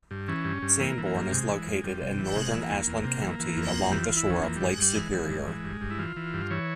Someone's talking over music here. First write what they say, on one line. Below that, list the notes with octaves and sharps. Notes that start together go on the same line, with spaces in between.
Sanborn is located in northern Ashland County, along the shore of Lake Superior.
G2
E3 C#4
G2
G2
E3 A#3
E3
A#3
G2
C3 G#3
E3
F2
F2 G3
C3
E3
C3 G#3
E3
A#3
E2
E2
C3
E3
E3
F2
F2
E3 G4
E3 F4
E4
F2 C#4
E3 A#3
G2 G3
G#3
G2 G3
E3 G#3
E3
G2
E3
G2
G2
E4
E3 F4
E3
G2
E3 C#5